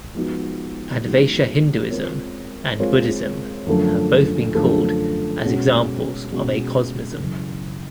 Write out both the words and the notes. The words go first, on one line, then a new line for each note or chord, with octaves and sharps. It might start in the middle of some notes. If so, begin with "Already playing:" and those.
Advaita Hinduism and Buddhism have both been called as examples of acosmism.
F3 G#3 B3 D#4 F#4
F3 G#3 B3 D#4 F#4
G#3 C4 F4 A#4 C#5
G#3 C4 F4 A#4 C#5
F#2 D3 F3 A3
F#2 D3 F3 A3
B2 G#3 C#4 F#4
B2 G#3 C#4 F#4
F#2 C#3 E3